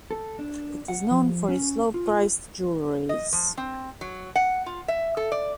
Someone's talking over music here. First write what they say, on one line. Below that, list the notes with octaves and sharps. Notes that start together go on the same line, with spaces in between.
It is known for its low-priced jewelries.
A4
D4
F#5
F3
C#4
F4
D#5
F3
C4
F#3
F#5
F4
E5
A4
D5